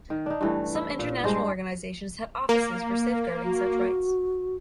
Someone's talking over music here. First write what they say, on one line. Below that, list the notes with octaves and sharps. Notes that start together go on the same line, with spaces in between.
Some international organizations have offices for safeguarding such rights.
D#3
D4 D#4
G2 E3 A3
E4
A#2
G2 G#3 D4 C5
A#3
F#4